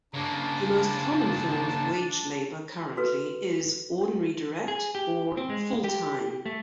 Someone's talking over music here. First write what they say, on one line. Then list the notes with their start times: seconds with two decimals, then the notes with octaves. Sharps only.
The most common form of wage labour currently is ordinary direct, or "full-time".
0.14 C#3 A#3 D4 A5
2.97 F#4 A4 B4
4.68 G#4
4.95 G4
5.37 C4
5.50 G#3
5.84 G4
6.46 A3